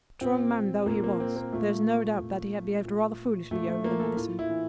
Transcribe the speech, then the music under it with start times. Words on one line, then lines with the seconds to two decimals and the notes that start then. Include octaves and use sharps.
Strong man though he was, there is no doubt that he had behaved rather foolishly over the medicine.
0.21 A#2 C4
0.86 A#2 A#3
1.04 A#3
1.20 C4
1.36 A#3
1.53 A#2 A3
2.19 A#2
2.85 A#2
3.51 A#2 A3
3.68 A3
3.84 A#3
4.00 A4
4.16 A2 F4
4.39 E4
4.50 E3